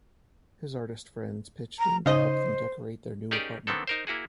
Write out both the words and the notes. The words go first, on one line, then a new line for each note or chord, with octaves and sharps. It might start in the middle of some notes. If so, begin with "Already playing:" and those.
His artist friends pitched in to help them decorate their new apartment.
A#5
C#3 D#4 C5 D#5
C#4 D#4 G4 G#4 A#4 D5
D3 D#3 B3 C4 A4
D#4 A#4 C5
A#3 E4 F#4 G#4